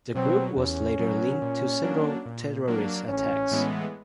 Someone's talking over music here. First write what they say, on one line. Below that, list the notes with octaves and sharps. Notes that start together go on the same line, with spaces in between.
The group was later linked to several terrorist attacks.
B2 F#3 C4
E2 C#4
B2 F#3
A#2
F#3 A#3 D4
A#2
F#3 A#3 D4
A1 C#4
A2 E3 G#3 B3